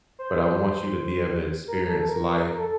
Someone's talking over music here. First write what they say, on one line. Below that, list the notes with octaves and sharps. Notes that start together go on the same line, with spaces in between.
but I want you to be able to experience life
C5
A#4
A4
A#4
A#4
A4